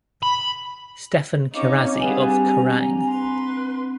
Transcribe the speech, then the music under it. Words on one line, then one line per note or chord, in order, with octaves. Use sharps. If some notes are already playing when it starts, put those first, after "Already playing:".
Steffan Chirazi of Kerrang!
B5
C4 C#4 D#4 C#5 D#5 F5 C#6 D6
G3 C4 D4 G#4 B4 F5 F#5 G#5
A#5
B4 C6